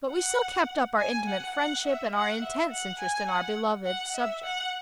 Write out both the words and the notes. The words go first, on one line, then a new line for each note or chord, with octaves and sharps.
But we still kept up our intimate friendship and our intense interest in our beloved subject.
F#5
G#5
F#5
F#5
E5
F#5
E5
F#5
G#5
F#5
F#5
E5
F#5